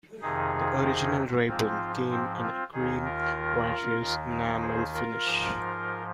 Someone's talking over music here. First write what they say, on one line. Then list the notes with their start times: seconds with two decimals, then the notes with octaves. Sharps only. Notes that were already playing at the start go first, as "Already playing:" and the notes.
The original Rayburn came in a cream vitreous enamel finish.
0.22 F2 C3 D#3 D#4 G#4
1.47 G#2 F3 C4 F4
2.11 C4
2.42 C4 F4
2.73 D#2 D#3 D#4 G#4
3.04 F4 A#4
3.99 D#2 D#3
4.61 G#4 C5
4.93 F4 A#4
5.24 G#2 F3